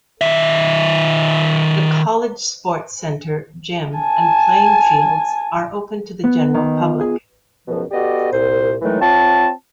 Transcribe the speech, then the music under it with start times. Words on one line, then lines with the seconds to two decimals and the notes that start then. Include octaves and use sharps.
The college sports centre, gym, and playing fields are open to the general public.
0.21 D#3 E5
3.98 G#5 A5
6.24 B3
6.54 D#3
6.81 F4
7.00 G#4
7.68 C#2 F#2 B2 F3
7.91 B3 F#4 G4 A4 D5 D#5
8.32 C2 A#2 C5
8.82 A2 D#3 E3 F#3 G#3 A3
9.01 C4 F4 C#5 A5